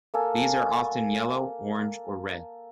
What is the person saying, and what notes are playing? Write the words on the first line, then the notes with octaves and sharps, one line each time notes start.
These are often yellow, orange or red.
A#3 A4 G#5